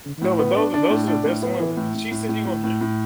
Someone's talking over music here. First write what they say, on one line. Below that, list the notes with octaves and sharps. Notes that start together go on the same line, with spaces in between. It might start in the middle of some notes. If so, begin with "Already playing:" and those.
N no, but those are those are the best ones, she said you gonna dri
A2
B3
D4
D4
A2
D4
A2
B3
E3
A2
A2
A2
A2
A2
A2
A2